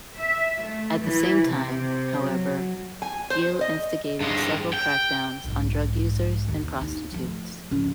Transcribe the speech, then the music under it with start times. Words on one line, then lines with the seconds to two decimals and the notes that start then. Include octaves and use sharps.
At the same time, however, Gil instigated several crackdowns on drug users and prostitutes.
0.18 E5
0.64 A3
1.02 E3
1.49 C3
2.26 F#3
3.02 G#5
3.30 C5
3.61 D#5
4.21 G2 G#3
4.73 G5
5.44 B1 G#2
6.48 D#2
6.81 D#4
7.12 F3 A3
7.71 C#3 F3